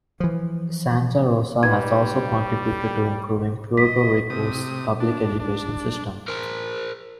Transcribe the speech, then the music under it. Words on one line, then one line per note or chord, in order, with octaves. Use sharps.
Santa Rosa has also contributed to improving Puerto Rico's public education system.
E3 F3
G3 D#4 B4 G#6
D#5 B6
C3 D#6
D4
D4
A#4 C5